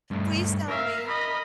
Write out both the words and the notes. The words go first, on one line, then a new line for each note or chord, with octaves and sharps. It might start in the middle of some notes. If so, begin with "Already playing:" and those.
Please tell me.
G2 A3
A#4 E5 F5
D#5 B5